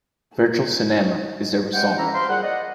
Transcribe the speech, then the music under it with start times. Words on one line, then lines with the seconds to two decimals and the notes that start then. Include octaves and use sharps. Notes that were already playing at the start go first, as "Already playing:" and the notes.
Virtual cinema is the result.
1.74 C3 G3 G#3 F#5 G5
1.98 D2 E3 C#4 E4 E5 A#5
2.14 C5 F5 G5 B5 C6
2.28 A#2 G3 G#4 C5 F#5
2.43 D5 D#5 F#5